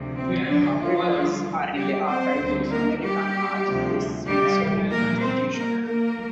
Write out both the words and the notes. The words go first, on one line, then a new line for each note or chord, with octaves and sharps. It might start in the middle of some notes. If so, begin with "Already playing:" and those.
Her papers are in the Archives of American Art at the Smithsonian Institution.
Already playing: D2 C3 F3
C4
D3 D4
F3 F4
D2 D3 G3
G3 G4
C4 C5
D2 D3 G3
A#3 A#4
G3 G4
D2 C3 F3
G3 G4
A#2 G3 A#3 A#4
C4 C5
A#3 A#4
A#3 A#4